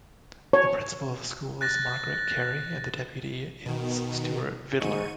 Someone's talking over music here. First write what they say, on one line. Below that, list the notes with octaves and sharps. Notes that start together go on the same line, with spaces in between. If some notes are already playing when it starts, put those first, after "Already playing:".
The principal of the school is Margaret Carey, and deputy is Stewart Vidler.
C#5
F#6 A6 A#6
B2 D#3
G#2 C#6 D#7